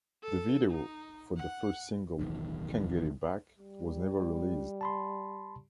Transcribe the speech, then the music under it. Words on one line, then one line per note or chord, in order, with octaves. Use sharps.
The video for the first single "Can't Get It Back" was never released.
A4
D#4
F#5
D1 B1 E2 D#3
G3
A5 B5 C6